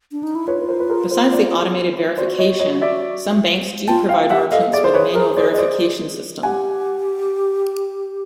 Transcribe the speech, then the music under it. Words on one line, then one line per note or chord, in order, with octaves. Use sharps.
Besides the automated verification, some banks do provide merchants with a manual verification system.
D4
D#4
E4
F4 B4 C#5
B4
A#4 C5
B4
G#4 A#4
A#4 C5
C5 D5
F#4 C5 D5
C#5 D#5
C#5 D#5
D5 E5
F4 G5 A5
F5 G5
G4 E5 F#5
A4 D#5 F5
G#4 D5 E5
C5
B4 C#5
A#4 C5
C5 D5
D#5
C5 D5
G4 F#5 G#5